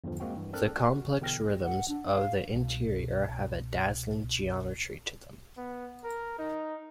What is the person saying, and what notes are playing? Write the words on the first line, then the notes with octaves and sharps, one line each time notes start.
The complex rhythms of the interior have a dazzling geometry to them.
E2 G2 D3 F3
G#3 A#3 C4 F#4 G5
G2 E3
C4 D4 A4 A#4 F6 F#6
F#4
B2 D3 E3 G5 F6 A#6
F#5
D4
F5
C2 B2
B3
A#4
D#4